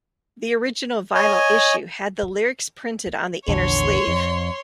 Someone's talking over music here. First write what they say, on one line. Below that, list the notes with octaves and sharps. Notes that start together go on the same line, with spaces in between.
The original vinyl issue had the lyrics printed on the inner sleeve.
C#5 D#5 G#5
A#1 E2 D3 C#5 C6
F2